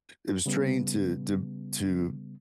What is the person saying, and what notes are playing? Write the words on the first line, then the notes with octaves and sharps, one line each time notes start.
It was trained to to b to
C#3 G3 B3